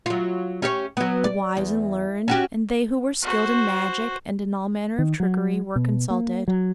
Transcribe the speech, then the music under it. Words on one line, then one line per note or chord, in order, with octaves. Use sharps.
The wise and learned, and they who were skilled in magic and in all manner of trickery, were consulted.
F#3 F4
C#4 G4 C#5
F#3 B3
D5
E2
C#4 F#4 G4
F#4 C5
D#3
F#3
B2
A#3
F#3